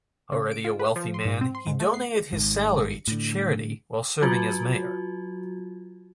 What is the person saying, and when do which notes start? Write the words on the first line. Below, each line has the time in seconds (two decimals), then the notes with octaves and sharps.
Already a wealthy man, he donated his salary to charity while serving as mayor.
0.32 C#3
0.52 D7
0.65 F4
0.79 B4
0.96 F3
1.14 C6
1.25 G#2
1.41 C4
1.55 C6
1.67 G#2
1.80 A3
1.94 C7
2.33 G#1 G#2
3.08 A2 D3
4.22 F#3 F4 F#4